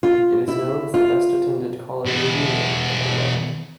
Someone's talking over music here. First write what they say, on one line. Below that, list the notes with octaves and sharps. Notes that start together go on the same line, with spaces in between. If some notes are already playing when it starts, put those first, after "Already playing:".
It is known as the best-attended college reunion in the world.
F4
E4
F4
E2 B2